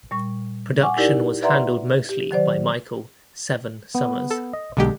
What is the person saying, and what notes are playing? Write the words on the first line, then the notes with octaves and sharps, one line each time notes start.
Production was handled mostly by Michael "Seven" Summers.
A#2 G3 C#6
F#5 G#5 C#6 D6
D#4 E4 G4 A#4 D5
B4 D5 E5 F#5 A#5 C6
G4
D#3 F#3 C5 D5
B3
A4
D#5
B1 D3 G#3 G4